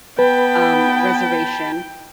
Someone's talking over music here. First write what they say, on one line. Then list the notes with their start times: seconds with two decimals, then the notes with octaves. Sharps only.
um, reservation,
0.19 B3 B4 G5 A5 B5